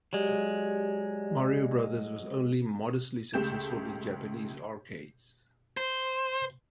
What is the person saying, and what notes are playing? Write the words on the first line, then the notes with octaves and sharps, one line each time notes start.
"Mario Brothers" was only modestly successful in Japanese arcades.
F#3 G#3 G4 D5
C#2 A3 G4 G6 E7
C5